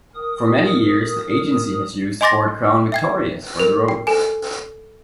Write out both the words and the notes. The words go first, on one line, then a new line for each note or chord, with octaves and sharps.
For many years, the agency has used Ford Crown Victorias for the road.
A#4 D#6
D#5 G#5 C6 D6 A6 A#6
E5 G5 G#6
A#4
G5
A4 G#5